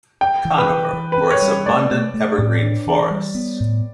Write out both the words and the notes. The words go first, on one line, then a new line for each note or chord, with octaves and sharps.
Conover for its abundant evergreen forests.
C#4 G5
E3
B4
E3
E3
B4
C#4
C#5
G3
A3 D5
A3
A3
A2
D4
E3
G3
B3
A2